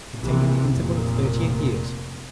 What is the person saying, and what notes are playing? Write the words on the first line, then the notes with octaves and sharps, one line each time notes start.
Containing The Interval Of Thirty-Eight Years.
A#1 C3 E3
F1 A#2